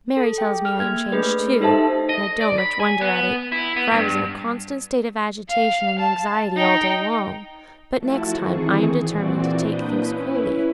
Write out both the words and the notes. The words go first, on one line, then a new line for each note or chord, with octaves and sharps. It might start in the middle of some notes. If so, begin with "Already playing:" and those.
'Mary tells me I am changed too; and I don't much wonder at it, for I was in a constant state of agitation and anxiety all day long: but next time I am determined to take things coolly.'
A4
G#4 G5
F6
A#3 G#6
A3 D4 G#4 B4
D#4 G4 A4 C5 E5 A5
D#5
D5
B5
G#5
B3
E4
B3
G2
F5
A5
D#4 G5
F3 A3 E4 F#4 A5
D#3 E3 C4 G#4 C#6
A#2 E3 C4 F#4 D5
A#3 D4 B4 D#6 G6
C#4 E4 B4